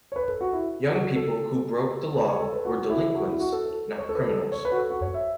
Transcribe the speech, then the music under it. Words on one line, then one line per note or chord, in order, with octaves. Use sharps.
Young people who broke the law were "delinquents," not criminals.
C#5
B4
A4
F#4
E4
F#4
A4
A4
B4
C#5
A4
B4
F#4
E4
F#4
E4
F#4
A4
A4
C#5
A4
B4
A4
C#5
B4
F#4
A4
F#4
C#5
E5